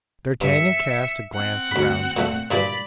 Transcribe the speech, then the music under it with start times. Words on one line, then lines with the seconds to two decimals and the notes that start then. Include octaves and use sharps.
D'Artagnan cast a glance around him.
0.41 G2 E5 C#7
1.34 C4 F#5
1.71 D2 B5
2.17 A#2 A3
2.51 G2 A#2 E3 D5 B5